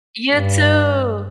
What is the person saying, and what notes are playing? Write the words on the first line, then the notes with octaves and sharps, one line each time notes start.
You too.
G2